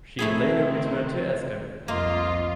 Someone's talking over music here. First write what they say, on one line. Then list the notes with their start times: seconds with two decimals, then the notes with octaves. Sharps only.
She later returned to Asker.
0.19 D#3 A3 C4 E4 G#4
1.88 C2 F2 A#3 F4 D#5